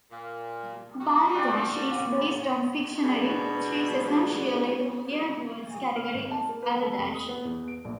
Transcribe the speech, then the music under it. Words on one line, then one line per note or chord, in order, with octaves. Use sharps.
"Balderdash" is based on "Fictionary", which is essentially the Weird Words category of "Balderdash".
A#2
G3 F#4
D4 G4 D5
B2 D4 F#4 G#4
F6
G#1
A5
A#3
B4
A4
F1
D#6
B3
E2
D7
A#1